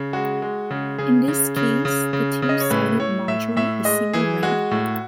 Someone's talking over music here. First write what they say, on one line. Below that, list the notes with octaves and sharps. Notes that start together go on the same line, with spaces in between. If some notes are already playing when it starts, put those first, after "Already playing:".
In this case, the two-sided module is single-ranked.
Already playing: C#3
G#3 F#4
G#3
C#3
C#3 G#4
C#3
C#3
C#3
C#3
C#3
D#5
C#5
A2 B4
A2 C#5
A2 E5
A2 E5
G#3 D#5
E3 G#4
G#3 F#4
A2